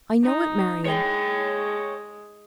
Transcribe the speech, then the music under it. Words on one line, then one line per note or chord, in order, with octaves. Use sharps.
"I know it, Marian."
D#4
G#3 C#5 G5